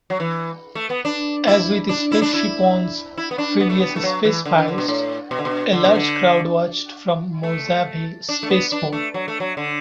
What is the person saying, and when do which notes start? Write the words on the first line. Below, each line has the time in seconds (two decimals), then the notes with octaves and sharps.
As with SpaceShipOne's previous spaceflights, a large crowd watched from Mojave Spaceport.
0.10 F#3
0.20 E3
0.75 A3
0.90 B3
1.05 D4
1.47 E4
1.89 D4
2.12 E4
2.22 D4
2.34 E4
3.17 E4
3.31 B3
3.38 D4
3.60 B3
3.70 A3
3.79 B3
3.96 A3
4.03 F#3
4.25 E3
4.45 D3
4.58 E3
4.68 D3
4.78 B2
4.88 A2
5.31 B2
5.39 D3
5.45 B2
5.73 D3
5.85 B2
5.96 D3
7.43 A3
8.29 D4
8.43 A3
8.50 B3
8.72 D4
8.93 A3
9.14 F#3
9.28 A3
9.40 F#3
9.57 D3